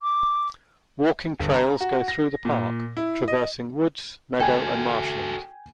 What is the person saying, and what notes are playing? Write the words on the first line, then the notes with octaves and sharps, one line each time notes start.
Walking trails go through the park, traversing woods, meadow and marshland.
D6
G1
A#5
F#4
A#6
A#2
E4
D#5
F#4 A4 G5 G#5 G#6